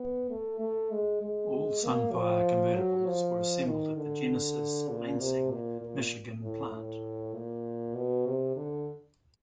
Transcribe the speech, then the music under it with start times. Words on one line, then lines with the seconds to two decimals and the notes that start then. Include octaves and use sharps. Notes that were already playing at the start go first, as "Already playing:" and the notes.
All Sunfire convertibles were assembled at the "Genesis" Lansing, Michigan Plant.
Already playing: B3
0.30 A3
0.60 A3
0.91 G#3
1.21 G#3
1.83 A#3
2.13 F3
2.74 F#3
3.05 F3
3.66 D#3
3.97 D3
4.89 A#2
5.19 C3
5.51 A#2
5.81 A#2
6.42 A2
6.73 A2
7.34 A#2
7.95 B2
8.26 C3
8.56 D3